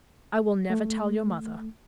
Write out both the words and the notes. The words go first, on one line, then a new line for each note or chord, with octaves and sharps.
I will never tell your mother.
A3